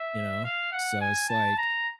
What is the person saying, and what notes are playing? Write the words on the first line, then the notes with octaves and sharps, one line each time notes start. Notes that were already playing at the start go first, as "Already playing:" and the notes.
you know? So it's like,
Already playing: E5
F5
F#5
G#5
A5
A#5